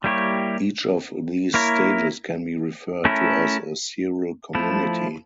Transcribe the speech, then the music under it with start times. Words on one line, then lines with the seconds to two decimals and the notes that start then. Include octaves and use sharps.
Each of these stages can be referred to as a seral community.
0.04 G3 A#3 E4 G4 C#5
1.54 A#3 E4 A#4 C#5
3.05 A3 C#4 E4 A#4
4.55 F3 A3 E4